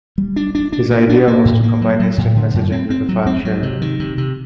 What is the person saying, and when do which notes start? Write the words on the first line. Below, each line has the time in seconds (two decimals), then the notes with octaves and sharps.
His idea was to combine instant messaging with file sharing.
0.18 G3
0.36 D4
0.55 D4
0.73 D4
0.91 A#3
1.09 D4
1.28 A#3
1.45 A2
1.63 A#3
1.81 F#3
2.00 F#3
2.18 A2
2.36 D3
2.54 F#2
2.72 C4
2.90 C4
3.09 F#3
3.26 C4
3.45 F#3
3.63 C3
3.82 D#3
4.00 C3
4.18 C3